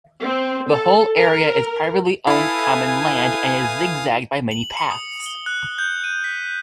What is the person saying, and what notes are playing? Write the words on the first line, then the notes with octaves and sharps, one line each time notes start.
The whole area is privately owned common land and is zigzagged by many paths.
C4
A4
A#4
E4 A4 B4 F5 G#5 B5 D#6
F#7
C#7
D#6
G7
F#6
G6
D#7
B6